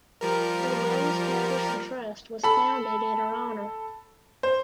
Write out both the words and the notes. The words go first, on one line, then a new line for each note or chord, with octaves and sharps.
The Rose Paterson Trust was founded in her honour.
F3 G3 A#4
A4 B5
C5